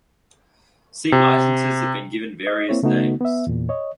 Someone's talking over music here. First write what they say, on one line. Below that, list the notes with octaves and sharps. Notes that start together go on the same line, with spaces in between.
Seat licenses have been given various names.
C3
D#5
A#3 C4 E4 C#5
C#3 A3 B3 D#4 F#4
B3 E5
E2 A#2
C#5 D#5